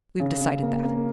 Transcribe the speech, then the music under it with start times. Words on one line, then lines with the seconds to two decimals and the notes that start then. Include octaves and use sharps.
We've decided that.
0.20 C#3
0.41 C#3
0.63 A#3
0.84 A#3